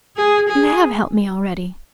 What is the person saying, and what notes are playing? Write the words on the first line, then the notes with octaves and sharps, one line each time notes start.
You HAVE helped me already.
G#4
G#4